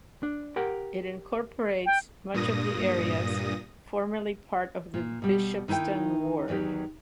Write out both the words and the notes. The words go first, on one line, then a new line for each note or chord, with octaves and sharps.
It incorporates much of the areas formerly part of the Bishopston ward.
D4
G4 A#4 F#5
G5
G2 A#2 D#6 A#6
A#2
B2 G3
D#3 D#4 E4 E5 G5
E2 D#3 F#3 G4